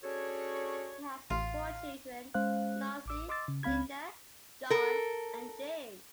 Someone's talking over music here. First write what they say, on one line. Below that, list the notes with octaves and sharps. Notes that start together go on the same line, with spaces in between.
He has four children; Nancy, Linda, John, and James.
C#4 D4 F#4 G#4 A4 C#5
A1 F4
G#3 C#4 C5 F5 F#6
A1 D6 E6
D#5 C6 D6 E6 A6
C#3
C#2 C4 F5 B5 G#6
A4 A#4